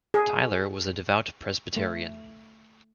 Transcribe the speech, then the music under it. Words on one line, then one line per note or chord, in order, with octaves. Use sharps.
Tyler was a devout Presbyterian.
G#4
A3